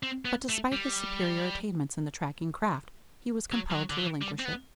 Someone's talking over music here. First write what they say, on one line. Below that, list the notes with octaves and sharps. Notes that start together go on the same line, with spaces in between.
But despite his superior attainments in the tracking craft, he was compelled to relinquish it.
C4
B3
A3
G3
F#3
G3
F#3
D3
E3
G3
C4
B3